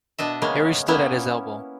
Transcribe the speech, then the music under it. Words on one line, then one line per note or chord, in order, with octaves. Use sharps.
Harry stood at his elbow.
B2 D4 D#5 E5
C#3 G#3 A#3 B3 C#4
A#3 B3 C#4 E4